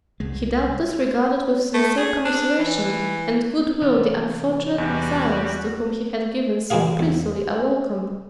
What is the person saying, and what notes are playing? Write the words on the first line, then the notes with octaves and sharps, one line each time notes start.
He doubtless regarded with sincere commiseration and good will the unfortunate exiles to whom he had given so princely a welcome.
C2 G#3
A3
G#4
D4
E3
C3 E3 F4
E2 G3 F#4
E3 A#3 F#4 G#4 F5
E2